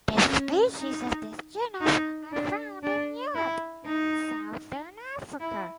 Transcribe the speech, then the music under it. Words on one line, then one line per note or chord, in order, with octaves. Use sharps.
The species of this genus are found in Europe and Southern Africa.
C#4
D#4
D#4
D4
D4
E4
D#4
E4